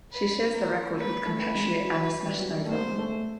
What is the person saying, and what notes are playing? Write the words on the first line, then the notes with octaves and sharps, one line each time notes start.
She shares the record with compatriot Anna Smashnova.
B4
A#4
A#3 B4
A3
B4
G#3
F#3
G3
F#3
G3
A3
A#3 C5
G#3
A3